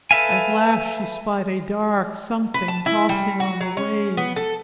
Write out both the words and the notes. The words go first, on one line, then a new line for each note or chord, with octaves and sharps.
At last she spied a dark something tossing on the waves.
A4 B4 E5 F5 G#5
B4
A5
E4
G3
F#4
F#3
C#4
B3
A4